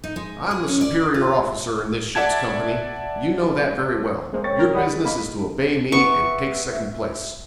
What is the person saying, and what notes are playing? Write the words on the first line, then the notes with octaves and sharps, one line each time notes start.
I'm the superior officer in this ship's company--you know that very well--your business is to obey me, and take second place.'
D#4
G#3
G#4
C#4
D5
F4
D5 E5 F#5 A5 G#6
G#3 A#3 C5
C#5 G5 C#6 A6
A#4
G3 F#5 B5 D#6
G#4
A#3 D#5 B5
B3 E5 C#6